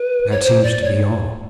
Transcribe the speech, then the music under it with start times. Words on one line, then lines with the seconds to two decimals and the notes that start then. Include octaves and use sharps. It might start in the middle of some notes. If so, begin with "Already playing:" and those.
That seems to be all.
Already playing: B4
0.31 C#5
0.42 C5
0.63 D5
0.84 C#5